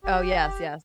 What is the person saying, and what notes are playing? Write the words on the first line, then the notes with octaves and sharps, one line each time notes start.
Oh, yes, yes.
F1 G4